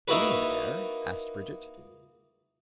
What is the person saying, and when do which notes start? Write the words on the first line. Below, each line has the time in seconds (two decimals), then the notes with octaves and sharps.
"Were you there?" asked Brigitte.
0.08 A#3 D#4 E4 F#4 A#4 B4